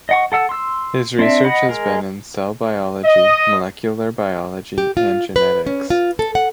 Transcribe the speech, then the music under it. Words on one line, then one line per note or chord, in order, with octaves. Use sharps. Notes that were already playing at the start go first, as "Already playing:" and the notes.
His research has been in cell biology, molecular biology, and genetics.
D#5 F#5 C#6
A4 F#5 E6
C6 E6
C4 D4 E5
D#5 F#5 B5
G#3 A#4
D#5
G4
F4
B4
C#4
F4
A4
F#5